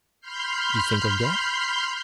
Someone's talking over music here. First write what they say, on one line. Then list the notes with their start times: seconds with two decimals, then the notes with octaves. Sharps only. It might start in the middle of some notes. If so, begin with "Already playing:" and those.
"You think of death?"
0.21 B5 C6 F6 G6 C7